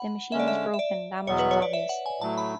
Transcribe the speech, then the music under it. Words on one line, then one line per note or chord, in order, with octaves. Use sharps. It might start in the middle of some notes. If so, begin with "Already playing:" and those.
The machine was broken, that much was obvious.
Already playing: F#5 B5
D3 G#3 C#4 E5
D5
E5
E5
D5
E2 B2 F#3 B3 C#5
B4
C#5
D5
E5
F#5
G#5
A2 F#3 A3 A5
B5